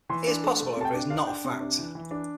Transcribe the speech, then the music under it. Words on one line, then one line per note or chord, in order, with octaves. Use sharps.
It is possible however it is not a fact.
E3 C6
D4
A3
A3
C3 A5
G5
D4
D4 F5
D4 G5
C3
D4
E3
E3
D4